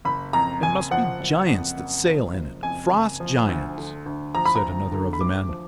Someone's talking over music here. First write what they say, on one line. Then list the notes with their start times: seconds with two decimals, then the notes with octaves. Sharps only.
"It must be giants that sail in it, frost giants," said another of the men.
0.05 F#1 B5
0.33 F2 A#5
0.63 F#1 G#5
0.91 F3 F#5
1.20 F#1
1.49 F2
1.77 F#1
2.06 F3
2.35 F#1
2.63 F2 G#5
2.92 F#1
3.20 F3
3.48 D2
3.78 D3
4.06 D2
4.35 F3 A#5
4.46 B5
4.55 A#5
4.63 D2
4.92 D3
5.13 B5
5.20 D2 D6
5.49 F3